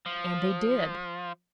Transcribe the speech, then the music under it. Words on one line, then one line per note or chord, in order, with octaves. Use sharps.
And they did.
F3